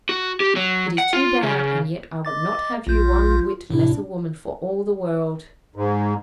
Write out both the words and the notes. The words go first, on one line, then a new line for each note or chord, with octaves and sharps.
It is too bad; and yet I would not have you one whit less a woman for all the world.
F#4
G4
F#3
F#5
F4
C#3
D#5 D6 A6
A#1 F4 G6
A2 C3 D4 E4
G#2